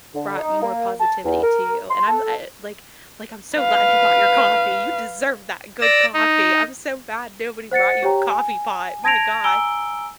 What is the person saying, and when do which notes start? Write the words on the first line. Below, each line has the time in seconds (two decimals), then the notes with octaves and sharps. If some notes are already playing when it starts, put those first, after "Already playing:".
brought more positivity to you, and I'm the I like like, I'm so glad you got your coffee. You deserve that good coffee. I'm so mad nobody brought you a coffee pot, my gosh.
0.15 D3
0.38 D#4
0.62 A#3
1.00 A5
1.24 E2
1.42 A#4
1.89 C6
2.07 A4
3.58 B4 F5
5.81 D5 E6 A#6
6.14 D#4
7.71 C5 F#5 A6 C#7
8.03 G4 C#5 G5 A#5
8.30 G#5
9.04 A5 G#6 A#6 D7 F7
9.44 G#5 A#5 E6 D7 G7